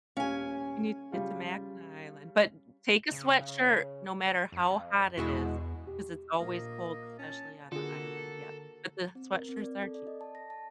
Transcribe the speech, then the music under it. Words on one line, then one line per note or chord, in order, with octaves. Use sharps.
You need to get to Mackinac Island, but take a sweatshirt no matter how hot it is, 'cause it's always cold, especially on the island, yep, but the sweatshirts are cheap.
D#1 C#4 F5 G#5
C#3 G3 F4
C#3
F2
E2 B2 G#3 E4 F#4
G4
A#1 A#3 C5 D#5
C#4 A5
D3 A#3 F4 F#4 G#4 A4
C4
A#4
C4
D5
A4
D5
D#5
A5
A#6
A5